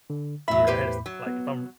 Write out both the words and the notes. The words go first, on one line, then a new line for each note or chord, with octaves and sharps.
Yeah, I had this Like, if I'm
D3
E2 A2 F#3 E5 B5
G4 B4 C5
F#3
B3